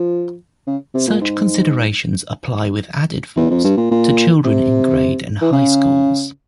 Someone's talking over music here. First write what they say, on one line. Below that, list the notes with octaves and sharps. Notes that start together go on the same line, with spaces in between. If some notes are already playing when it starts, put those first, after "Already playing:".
Such considerations apply with added force to children in grade and high schools.
Already playing: F3
C#3
C3
A#2
G#2
E2
F2
G2
A#2
A#2
C3
E3
C#3